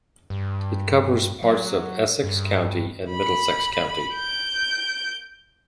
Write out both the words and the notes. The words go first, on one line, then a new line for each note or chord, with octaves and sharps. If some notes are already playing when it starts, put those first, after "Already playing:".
It covers parts of Essex County and Middlesex County.
G2
F#3
G2
B5
G6 D7